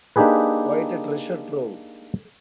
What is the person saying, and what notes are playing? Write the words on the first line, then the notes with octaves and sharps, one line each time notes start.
Quite a treasure-trove.
A#3 D4 D#4 G4 G#4 B4